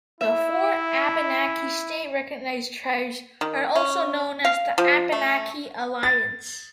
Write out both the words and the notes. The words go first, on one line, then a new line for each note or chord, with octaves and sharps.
The four Abenaki state-recognized tribes are also known as the Abenaki Alliance.
E4 E5
D#3
C#4
F5
F3
A3
A6